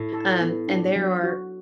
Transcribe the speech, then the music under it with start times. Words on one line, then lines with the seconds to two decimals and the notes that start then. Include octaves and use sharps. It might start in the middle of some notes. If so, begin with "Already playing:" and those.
um, and there are
Already playing: A2
0.13 A4
0.41 B3
0.68 D4
0.96 F#3
1.23 F#4